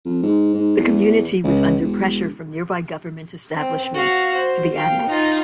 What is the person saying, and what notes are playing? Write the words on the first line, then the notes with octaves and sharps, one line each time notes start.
The community was under pressure from nearby government establishments to be annexed.
F2
G#2
G#2
E2
C#2
E1
C4
F#4 F5
C5
F5 G5
D#4 F4